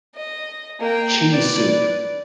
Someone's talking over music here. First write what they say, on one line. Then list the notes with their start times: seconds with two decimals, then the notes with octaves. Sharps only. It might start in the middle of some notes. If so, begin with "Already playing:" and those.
cheese soup."
0.15 D#5
0.80 A#3 G5
1.32 B4 D5